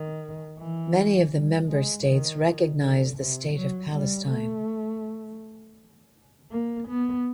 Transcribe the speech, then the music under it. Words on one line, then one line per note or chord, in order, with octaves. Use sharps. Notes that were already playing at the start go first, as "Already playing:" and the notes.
Many of the member states recognise the State of Palestine.
Already playing: D#3
E3
G3
G#3
D#3
D3
C3
F#3
G3
A3
A#3
B3